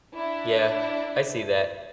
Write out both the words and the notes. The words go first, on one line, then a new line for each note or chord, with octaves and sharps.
Yeah, I see that.
D4 E4